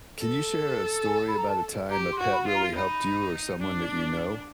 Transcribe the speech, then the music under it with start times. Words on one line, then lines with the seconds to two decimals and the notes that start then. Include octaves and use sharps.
Can you share a story about a time a pet really helped you or someone that you know?
0.20 A4
1.05 G#5
1.27 B5
1.38 A#5
1.48 A5
1.90 G4 A#5
2.12 C6
2.19 F#4
2.32 B5
2.47 F4
2.54 A#5
2.76 D#4 B5
3.60 D4